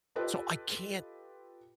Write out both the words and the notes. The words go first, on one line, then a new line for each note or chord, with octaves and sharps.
so I can't
F4 G4 A4 B4 D#5 G5